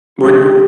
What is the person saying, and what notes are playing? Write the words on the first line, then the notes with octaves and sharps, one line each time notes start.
Were were
C3 F3 G#3 G4